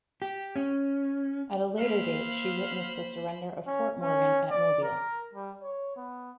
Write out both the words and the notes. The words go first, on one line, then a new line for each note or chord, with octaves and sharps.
At a later date she witnessed the surrender of Fort Morgan at Mobile.
G4
C#4
A#3 A#4 C5 E5 F5 B5
C#4
C#4
D5
A#4
G3
C#5
B3